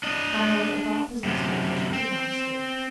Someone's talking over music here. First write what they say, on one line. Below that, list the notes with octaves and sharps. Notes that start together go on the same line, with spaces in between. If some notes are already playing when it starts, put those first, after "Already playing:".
Finally a thought possessed her that she could not escape.
D4 D#5
F#2 C3
C4